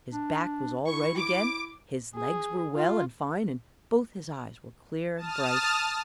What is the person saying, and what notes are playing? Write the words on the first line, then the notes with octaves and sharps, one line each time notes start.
His back was all right again; his legs were well and fine; and both his eyes were clear and bright.
D4
E4 C#6
D6 D7
G#4
F4
A5 D#6 F6